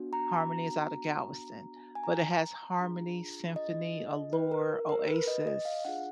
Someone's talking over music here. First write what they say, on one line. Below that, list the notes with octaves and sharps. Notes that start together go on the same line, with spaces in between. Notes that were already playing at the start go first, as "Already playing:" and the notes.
Harmony is out of Galveston, but it has Harmony, Symphony, Allure, Oasis
Already playing: B3 D4 F#4
A#5
G#5
A#5
D4 F4 G#4
D#5
B4
A#4
A#4
B4
D#5
D#5
F5
D4 F4 G#4 F#5